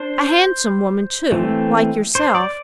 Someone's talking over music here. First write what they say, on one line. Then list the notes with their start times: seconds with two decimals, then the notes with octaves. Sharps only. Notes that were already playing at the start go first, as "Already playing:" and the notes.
A handsome woman, too, like yourself.
Already playing: D4 C5
1.32 E3 A3 C4
2.15 C5
2.35 D5